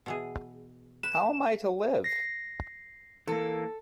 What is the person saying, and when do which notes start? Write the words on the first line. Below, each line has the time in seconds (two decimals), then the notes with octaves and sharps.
How am I to live?
0.06 B2 E3 G#4
1.03 B4 E7
2.04 A#6 C7
3.27 E3 A#3 A4